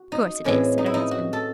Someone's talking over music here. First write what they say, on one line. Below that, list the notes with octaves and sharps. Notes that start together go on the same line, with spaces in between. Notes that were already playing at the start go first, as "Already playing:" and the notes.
"Course it is!" said her husband.
Already playing: F#4
D#4
A2 E3 G#3 C4 C#4
D#4
E4
D#4
F#4
A4